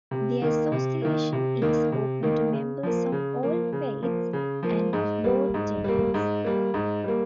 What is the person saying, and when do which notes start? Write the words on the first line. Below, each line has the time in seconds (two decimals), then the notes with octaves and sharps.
The association is open to members of all faiths and of both genders.
0.11 C3
0.42 D#3 A#3
0.72 C3
1.02 D#3 A#3
1.33 C3
1.62 D#3 A#3
1.92 C3
2.23 D#3 A#3
2.52 C#3
2.83 F3 A#3
3.12 C#3
3.43 F3 A#3
3.73 C#3
4.03 F3 A#3
4.33 C#3
4.63 F3 A#3
4.93 G#2
5.24 G3 A#3
5.54 G#2
5.84 G3 A#3
6.14 G#2
6.44 G3 A#3
6.74 G#2
7.04 G3 A#3